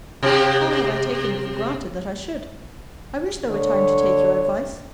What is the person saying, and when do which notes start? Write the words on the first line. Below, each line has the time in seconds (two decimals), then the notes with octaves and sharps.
How have I taken it for granted that I should!--I wish there were time to take your advice.
0.23 C3 G4
3.49 D3 C#5